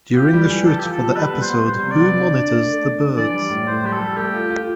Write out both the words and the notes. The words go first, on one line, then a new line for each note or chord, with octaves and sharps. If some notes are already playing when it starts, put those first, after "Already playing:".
During the shoot for the episode Who Monitors the Birds?
F4 G4
G3
E3
E3 A4
F4 G4
A4
G3
G3 B4
B3
C5
B3
G3 C5
C3
D5
B3
D4
D4
A3
A3
D4
D4
E3 D5
G3
A2
A2 C5
G3 G4
A4
G3
A3 G4
F4
F4